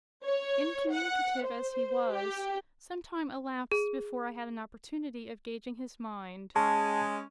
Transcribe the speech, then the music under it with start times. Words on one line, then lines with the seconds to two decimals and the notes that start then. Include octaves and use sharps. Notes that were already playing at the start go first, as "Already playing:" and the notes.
Incommunicative as he was, some time elapsed before I had an opportunity of gauging his mind.
0.25 C#5
0.92 F#5
1.44 C5
2.12 G4
3.72 G#4
6.56 G#3 C#4 A5